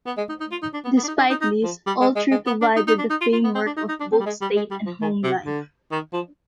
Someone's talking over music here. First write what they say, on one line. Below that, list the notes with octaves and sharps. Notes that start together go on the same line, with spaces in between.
Despite this, all three provided the framework of both state and home life.
B3
G#3
D#4
D#4
F4
D#4
D4
B3
B3
D4
D#4
D4
D#4
D#4
F3
G3
G#3
G#3
G#3
B3
D4
D#4
D#4
D4
D#4
F4
F4
B3
C4
D4
D#4
D#4
D4
C4
G3
G#3
G3
G#3
G3
F3
D#3
C3
D3
D#3
F3